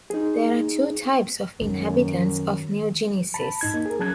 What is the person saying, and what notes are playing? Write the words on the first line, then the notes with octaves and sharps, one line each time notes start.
There are two types of inhabitants of New Genesis.
D#4 G#4
F#2 D#3
A5 B5
G#2 D#4 G#6
A#3 D#4
G#4 A#4
F#3 C#4 A5 F#6 G#6